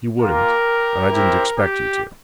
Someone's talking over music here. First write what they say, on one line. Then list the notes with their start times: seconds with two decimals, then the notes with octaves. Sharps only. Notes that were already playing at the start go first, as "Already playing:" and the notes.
You wouldn't, and I didn't expect you to.
0.19 A#3 F4 G4 A#4
1.12 C4 E4 G4
1.58 G4